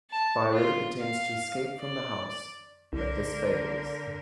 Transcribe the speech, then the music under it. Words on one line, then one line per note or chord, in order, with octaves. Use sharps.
Byron attempts to escape from the house, but this fails.
A5
F4
F5
D5
C2 D3 A#4